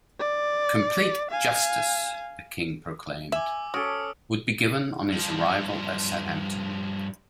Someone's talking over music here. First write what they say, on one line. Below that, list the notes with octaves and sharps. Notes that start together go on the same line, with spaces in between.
Complete justice, the king proclaimed, would be given on his arrival at Southampton.
D5
F5 G#5
E5 G#5 D6 E6
C#4 F#4 A4 D#6 D7
G2 F3